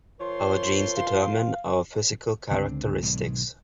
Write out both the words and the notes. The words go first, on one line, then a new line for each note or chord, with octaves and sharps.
Our genes determine our physical characteristics.
F3 A#4 C#5 C6
F5
C#2 D3 C4 D4
B1 G#2 D#3